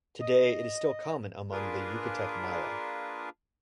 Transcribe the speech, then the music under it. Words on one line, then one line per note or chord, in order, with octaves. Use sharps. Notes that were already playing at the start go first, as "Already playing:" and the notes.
Today, it is still common among the Yucatec Maya.
D#5
A#3 D4 F4 G#4 A#4 B4